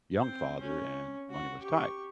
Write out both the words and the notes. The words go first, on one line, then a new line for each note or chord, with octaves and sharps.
young father and money was tight.
C4 C5
C#4
F#4
G4 C#6